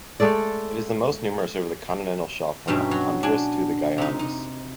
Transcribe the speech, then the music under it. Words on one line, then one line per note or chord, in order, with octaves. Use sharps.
It is most numerous over the continental shelf from Honduras to the Guianas.
G#3 A3 A4 D5
G2 B2 C#4 D#4 E5
F#3
D4 G#5
C3 D#4
D#4